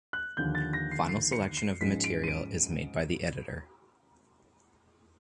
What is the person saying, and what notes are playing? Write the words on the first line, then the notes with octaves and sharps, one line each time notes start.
Final selection of the material is made by the editor.
F#6
D#2 D3 F3 G6
A6
A#6
C7
C7
C#7
C7
G#2 F3 G#3 C#4 B6
D7
D#7
D7